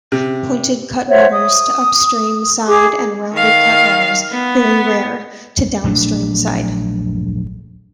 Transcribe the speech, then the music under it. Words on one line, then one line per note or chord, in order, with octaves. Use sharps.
Pointed cutwaters to upstream side and rounded cutwaters, "very rare", to downstream side.
C3
C5 C#5 E5 F#5
D#6
G#4 D6
D#3 F5
B3
A#1 F#3 A3 D4